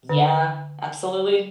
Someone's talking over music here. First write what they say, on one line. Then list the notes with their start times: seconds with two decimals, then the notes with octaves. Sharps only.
Yeah, absolutely.
0.09 D3